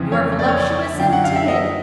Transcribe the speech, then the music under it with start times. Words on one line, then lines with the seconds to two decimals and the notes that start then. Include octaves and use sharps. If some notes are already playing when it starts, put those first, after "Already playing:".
You are voluptuous and timid!
Already playing: F2 C#3 E3
0.12 C#5
0.39 D5
0.49 C#5
0.57 D5
0.93 D3
0.98 F#2 G5
1.13 F#5
1.24 F5
1.36 E5
1.48 D#5